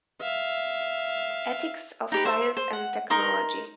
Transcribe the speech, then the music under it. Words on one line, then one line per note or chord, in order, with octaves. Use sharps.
Ethics of science and technology.
E5 F5
D#4 G4 B4
C5 E5
C5
F#5
D#4 A#4 C6 D#6